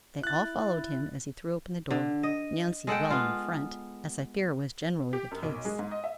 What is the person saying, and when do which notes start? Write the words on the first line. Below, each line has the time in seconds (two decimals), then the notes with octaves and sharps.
They all followed him as he threw open the door, Nancy well in the front, as I fear was generally the case.
0.23 E4 F#6 A6
1.90 D3
2.23 D#5
2.87 G#3 A4 F#5 G5
3.10 B3 F4
5.13 G4
5.31 F#2
5.43 B1
5.65 G#3
5.79 G#2
5.91 D#5
6.04 E5